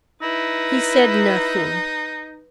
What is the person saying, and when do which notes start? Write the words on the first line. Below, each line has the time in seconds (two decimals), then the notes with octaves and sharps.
He said nothing.
0.22 D#4 E4 B4